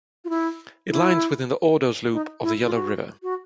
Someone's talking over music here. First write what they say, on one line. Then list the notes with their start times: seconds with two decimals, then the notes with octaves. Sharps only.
It lies within the Ordos Loop of the Yellow River.
0.25 F4
0.29 E4
0.90 E4
2.12 D#4
2.43 E4
2.64 F4
2.74 F#4
3.23 F#4